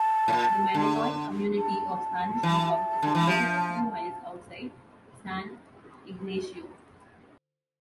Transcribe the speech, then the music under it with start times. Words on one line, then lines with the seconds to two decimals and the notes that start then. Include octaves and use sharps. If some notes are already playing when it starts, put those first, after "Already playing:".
The Mennonite community of Spanish Lookout is situated a few miles outside San Ignacio.
Already playing: A5
0.28 A2
0.33 A#2
0.74 D3
1.59 A5
2.43 E3
3.03 D3
3.15 E3
3.27 F3